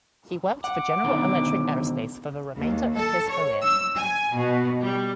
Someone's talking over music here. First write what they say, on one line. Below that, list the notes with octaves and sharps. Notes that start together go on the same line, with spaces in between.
He worked for General Electric Aerospace for the remainder of his career.
F#5 D6
B2 D3 D#3
D#2
A4
C#5
E6
G#5
B2
G3